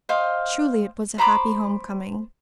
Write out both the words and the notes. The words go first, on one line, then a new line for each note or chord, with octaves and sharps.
Truly it was a happy home coming.
C5 D#5 F5 G5
C5 A#5 B5 D6